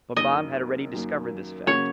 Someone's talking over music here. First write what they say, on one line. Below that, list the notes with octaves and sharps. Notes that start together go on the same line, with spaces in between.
But Bob had already discovered this fact.
F#1 F#2 D#3 A#3 D#5
F#1 F#2 D#3 A#3
C#3 F#3 A#3 C#4 F#4 C#5